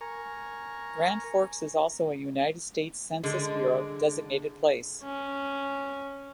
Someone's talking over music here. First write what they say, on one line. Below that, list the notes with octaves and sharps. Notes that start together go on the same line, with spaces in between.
Grand Forks is also a United States Census Bureau designated place.
A#4 G#5 A#5 C#6
D3 G#3
C#4